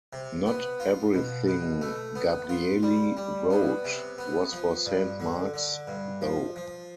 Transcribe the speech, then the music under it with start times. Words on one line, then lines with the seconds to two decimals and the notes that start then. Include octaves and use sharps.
Not everything Gabrieli wrote was for Saint Mark's, though.
0.13 C3
0.46 B3
0.80 F4
1.14 B2
1.48 B2
1.82 A3
2.16 B3
2.49 F4
2.83 G3
3.17 G3
3.51 B3
3.85 C3
4.18 B3
4.52 F3
4.86 G2
5.20 D3
5.54 D3
5.88 G2
6.22 F3
6.56 F3